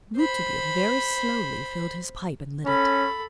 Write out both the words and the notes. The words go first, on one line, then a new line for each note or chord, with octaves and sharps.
Rouletabille very slowly filled his pipe and lit it.
C5 B5
C#4 A4 B5